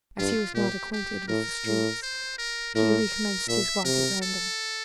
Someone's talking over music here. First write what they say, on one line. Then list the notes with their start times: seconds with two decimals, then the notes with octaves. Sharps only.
As he was not acquainted with the streets, he recommenced his walk at random.
0.18 G2 F4
0.54 A#2 G4
0.92 G4
1.28 A2 A#4
1.66 A2
2.02 C5
2.38 A#4
2.75 A2 A#4
3.48 A#2 E5
3.85 C3 A#4
4.22 A4